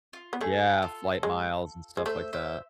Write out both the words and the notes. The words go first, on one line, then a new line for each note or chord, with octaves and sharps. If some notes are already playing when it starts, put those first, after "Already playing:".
Yeah, flight miles and stuff like that.
F4
B3
A3 G#4
F4 A4
G#3
G#3
A3 C5 E5
C5 E5